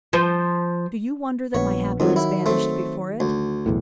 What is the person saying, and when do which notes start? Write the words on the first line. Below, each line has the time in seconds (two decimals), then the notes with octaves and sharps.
Do you wonder that my happiness vanished before it?
0.13 F3 C5
1.55 A#1 B3 C#5
2.00 F2 D#3 F#3
2.16 E4
2.46 A3 C4
3.20 D2
3.66 B1 E2 A2